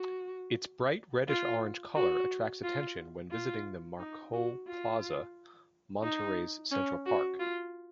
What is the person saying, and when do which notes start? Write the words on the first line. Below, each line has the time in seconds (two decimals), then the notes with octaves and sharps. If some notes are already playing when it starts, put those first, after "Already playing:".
Its bright reddish-orange color attracts attention when visiting the Macroplaza, Monterrey's central park.
Already playing: F#4
1.28 F4
1.95 F#4
2.63 F4
3.31 F4
3.99 D#4
4.33 F#4
4.67 F4
6.03 D#4
6.71 C#4
7.06 F#4
7.39 F4